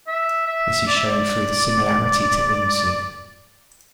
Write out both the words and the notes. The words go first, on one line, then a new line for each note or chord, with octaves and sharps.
This is shown through the similarity to Unsu.
E5
E5
D5
E5
D5